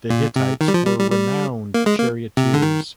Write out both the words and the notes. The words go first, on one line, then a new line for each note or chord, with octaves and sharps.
The Hittites were renowned charioteers.
A#2
C3
D#3
G3
F3
G3
G3
G3
A#3
G#3
A#3
C3
D3
D#3